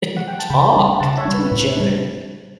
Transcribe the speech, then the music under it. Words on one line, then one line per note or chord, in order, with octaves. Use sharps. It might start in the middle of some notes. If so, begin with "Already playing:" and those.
and talk to each other.
F#5
G5
A5
C#3 G5 B5
G3 D4
C#3 F#5 A5
C#5 E5
G3 D4
B4
A2 B4
G3 B3 D4